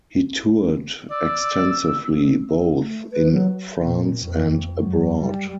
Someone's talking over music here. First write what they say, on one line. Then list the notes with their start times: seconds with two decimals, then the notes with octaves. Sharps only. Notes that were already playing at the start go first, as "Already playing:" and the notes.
He toured extensively, both in France and abroad.
1.11 D5 E6
2.79 A3
3.12 B4
3.32 F#3
3.82 A#2
4.25 F2
4.74 F#2
5.19 G3